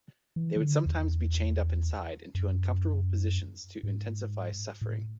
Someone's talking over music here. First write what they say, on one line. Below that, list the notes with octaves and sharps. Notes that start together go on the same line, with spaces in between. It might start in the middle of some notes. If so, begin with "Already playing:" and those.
They would sometimes be chained up inside into uncomfortable positions to intensify suffering.
E3
E3
D3
E2
F#2
G#2
A2